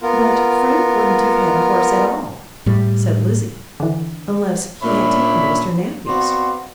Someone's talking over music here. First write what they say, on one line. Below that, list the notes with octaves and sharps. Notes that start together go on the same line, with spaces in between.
"But Frank wouldn't have had a horse at all," said Lizzie, "unless he had taken Mr. Nappie's."
B3 F4 A#4
A2 G3
D3 E3
A#2 C#4 D4 C#5 E5 B5
B3 C4 F#4 D5 F5 C6